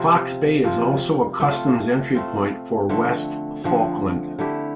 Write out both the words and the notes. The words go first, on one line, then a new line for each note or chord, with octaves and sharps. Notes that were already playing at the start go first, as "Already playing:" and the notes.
Fox Bay is also a customs entry point for West Falkland.
Already playing: C3 F3 C4 F4
C3 F3 C4 F4
A3 C4 F4
A3 C4 F4
D3 F3 A3 C4
D3 F3 A3 C4
D3 A3 E4 G4